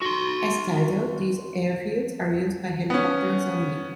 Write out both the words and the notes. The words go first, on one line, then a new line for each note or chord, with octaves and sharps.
As titled, these airfields are used by helicopters only.
F#4 C6
B3 C#4